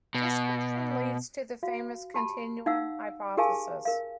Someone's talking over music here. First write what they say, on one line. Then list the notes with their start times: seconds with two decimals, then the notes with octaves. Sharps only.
This question leads to the famous continuum hypothesis.
0.15 B2
1.63 F#4 F5
2.14 G4 A5 B5
2.66 D#4 F5 F#5 E6
3.37 G4 G#4 A#4 F5 G#5 A5
3.85 A#4 F5